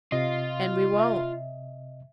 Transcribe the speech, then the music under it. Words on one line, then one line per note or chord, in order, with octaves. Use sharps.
And we won't.
C3 F4 D#5
E5